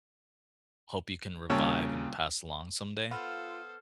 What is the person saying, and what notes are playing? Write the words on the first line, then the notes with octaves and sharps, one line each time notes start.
hope you can revive and pass along someday?
C2 A#2 C#3 C#5 A5 E6
B3 F4 A4 C5 F6